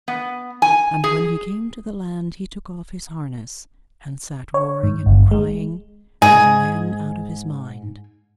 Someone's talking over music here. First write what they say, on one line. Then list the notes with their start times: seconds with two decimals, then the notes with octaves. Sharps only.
AND when he came to the land he took off his harness, and sat roaring and crying as a man out of his mind.
0.08 B3
0.62 G#5
1.04 G#4
4.54 C#5
4.83 G#2
5.06 G1
5.31 G#3
6.22 G#2 G#4